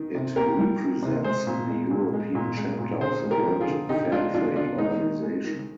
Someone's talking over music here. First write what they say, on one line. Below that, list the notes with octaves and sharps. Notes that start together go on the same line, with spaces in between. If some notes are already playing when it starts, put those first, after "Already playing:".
It represents the European chapter of the World Fair Trade Organization.
Already playing: D#3
C3
A#3 G4 A#4
G3
D#3
C3
G#3 G#4 C5
A#2
G#3
A#2
G#3
A#2
G#3
A#2
D3 G#4 C5
G#3
G4 A#4
F3
F4 G#4
D3
D3 D#4 G4
G#3 D4 F4
F3 D4 F4
D3 D4 F4
G#3 D#4
D#3
G#3
D#3